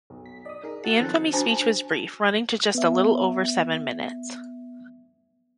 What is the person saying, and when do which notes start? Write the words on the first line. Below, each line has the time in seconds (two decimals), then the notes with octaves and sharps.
The Infamy Speech was brief, running to just a little over seven minutes.
0.10 B1
0.26 B6
0.45 D5 D#5 D#6
0.63 D#4 G#4 A#4
0.84 F#4 A4 F#5 A5
0.99 D#3 F3 C4 C5
1.33 D4 F#4 C5 G#5 A5
2.75 B3 E5